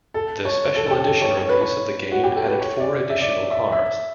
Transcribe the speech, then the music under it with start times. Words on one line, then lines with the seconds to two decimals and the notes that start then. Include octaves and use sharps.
The "Special Edition" release of the game added four additional cars.
0.14 A4
0.45 C#5
0.76 A4
0.86 A4
0.91 G4
1.06 A4
1.22 C#5
1.37 C#5
1.49 B4
1.61 C#5
2.12 F#4
2.24 G4
2.35 A4
2.47 B4
2.59 C#5
2.80 D5
3.10 E5
3.21 D5
3.51 E5
3.72 E5